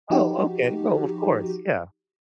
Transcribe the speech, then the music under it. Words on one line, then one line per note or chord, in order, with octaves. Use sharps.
Oh, okay. Well, of course, yeah.
F3 D#4 F#4 G4